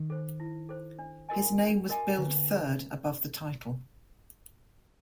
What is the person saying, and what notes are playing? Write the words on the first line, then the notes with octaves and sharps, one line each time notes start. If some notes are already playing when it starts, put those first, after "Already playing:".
His name was billed third, above the title.
Already playing: D#3
A4 C5
E4
A4 C5
D4
F#4 A#4 D#5 G#5
D4
F#4 A#4 D#5 G#5
D3 B4